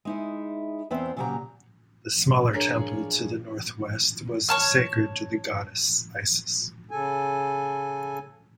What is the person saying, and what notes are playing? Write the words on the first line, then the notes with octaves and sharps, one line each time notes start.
The smaller temple to the northwest was sacred to the goddess Isis.
G#3 D#4 E4
E2 B3 C4 E4 C5
A#2 C#3 F#3 A#3 G4 A#5
D4 F4 G#4 A#4 C#5 D5
C#5 A5 F6
C#3 A4 G#5